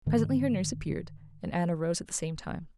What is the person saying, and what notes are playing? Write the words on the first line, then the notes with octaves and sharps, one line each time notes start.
Presently her nurse appeared, and Anna rose at the same time.
G#2 D3 D#3 A3